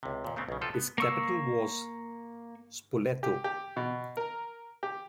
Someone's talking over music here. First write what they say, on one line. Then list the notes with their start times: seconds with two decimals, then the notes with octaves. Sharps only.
Its capital was Spoleto.
0.03 C#2 C3
0.24 D#2 A#2
0.36 C#3 A3 B3 C4
0.49 B1 C#3
0.61 C3 F3 C4 F4 A4
0.74 B3
0.98 A#3 C#6 E6
3.23 G4
3.44 G4
3.76 B2
4.17 A#4
4.83 G4